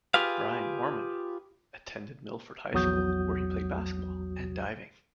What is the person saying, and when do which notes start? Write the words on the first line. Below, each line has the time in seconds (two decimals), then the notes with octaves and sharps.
Brian Woermann attended Milford High School, where he played basketball and Diving.
0.14 F4 G4 G#4 B4 F5
2.73 A#1 E2 F#3 F#4 D#6 G6